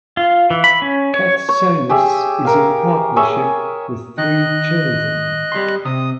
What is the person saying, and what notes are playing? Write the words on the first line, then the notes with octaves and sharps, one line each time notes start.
Katsonis is in partnership with three children.
F4
E3
B5
C#4
C#5
C#5
G4 G#4 E5
A#4 F5
G#4 C#5 E5
D#3 D#5 F#6
G3 C6
C3 D#6